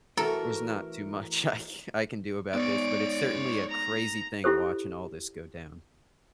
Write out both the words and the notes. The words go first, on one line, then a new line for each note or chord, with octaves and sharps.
There's not too much I ca I can do about this, but it's certainly a crazy thing watching all this go down.
E3 A3 F#4 A4 A#4
G#2 B3 C#5 D5 D7
A#5
E4 F4 G4 A4 C5